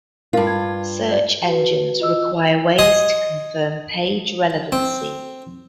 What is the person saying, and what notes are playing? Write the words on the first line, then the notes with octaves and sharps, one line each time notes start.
Search engines require ways to confirm page relevancy.
G2 F4 A#4 F5
G#6
D5
F#4 B4
F4 D#5 E6
D#5 G#5 C6
C4